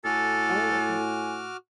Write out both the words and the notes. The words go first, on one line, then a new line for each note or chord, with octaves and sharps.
Oh, okay.
A2 F#4 A4 G#5 D6 F6